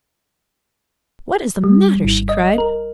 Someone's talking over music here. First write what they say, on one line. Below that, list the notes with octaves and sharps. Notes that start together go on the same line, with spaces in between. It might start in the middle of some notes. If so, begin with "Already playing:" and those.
"What is the matter?" she cried.
G3
G#1
D#5
A#4